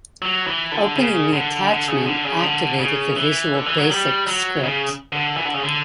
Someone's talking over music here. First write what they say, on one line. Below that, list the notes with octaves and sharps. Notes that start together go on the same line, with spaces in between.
Opening the attachment activated the Visual Basic script.
F#3
E3
D3
C#3
D3
D3
C#3
D3
C#3
D3
C#3
E3
D3
E3
F#3
G3
F#3
C#3
D3
E3
D3
C#3
D3